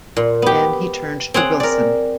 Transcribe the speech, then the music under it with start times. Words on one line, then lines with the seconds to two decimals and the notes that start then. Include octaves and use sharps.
Then he turned to Wilson.
0.17 A#2
0.42 B3 G4
1.34 C4 G#4 C#5 F#5
1.60 A#4 D5